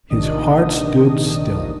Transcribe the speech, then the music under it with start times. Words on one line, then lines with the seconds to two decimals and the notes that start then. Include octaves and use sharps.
His heart stood still.
0.10 A#1 C3 D#3 D4 D#5 D#6